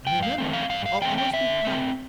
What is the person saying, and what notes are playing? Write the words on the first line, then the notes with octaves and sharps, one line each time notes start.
And remember, I'll always be proud of it.
G2 G5
F5
E3 A3 C4
F5
G2 F5
F5
E3 A3 C4 G5
G5
D3 E5
A3 C4